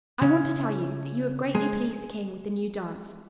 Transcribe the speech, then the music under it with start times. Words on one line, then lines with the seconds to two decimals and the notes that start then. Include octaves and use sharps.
I want to tell you that you have greatly pleased the king with the new dance.
0.22 C#3 C#4
1.55 G#3 G#4